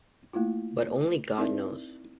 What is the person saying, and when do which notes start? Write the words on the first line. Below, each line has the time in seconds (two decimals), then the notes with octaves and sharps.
But only God knows.
0.33 A3 A#3 E4 F4
1.38 C4 D#4 E4 A#4 D5 E5